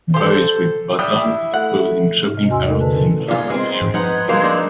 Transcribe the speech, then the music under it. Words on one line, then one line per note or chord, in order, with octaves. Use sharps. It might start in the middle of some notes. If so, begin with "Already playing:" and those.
Boys with bottles pose in shopping carts in urban area.
G4 A4 C5
G3 D4 E4 G5 D#6
A3 F#5
G#2 C#4 D#4 F6
C3 D#5
E2 F#4 G#5 C6 E6
C3 A3 D#4 A4 A#4
D3 B4 A5
B2 D3 C#4 E4 A4
A#2 F4 G#4
G#3 C4 D#4 B4 C6
G#2
F3 D#4 B4 F#5 C6 G#6
G#3 A#3 C4 C5
D4 D#4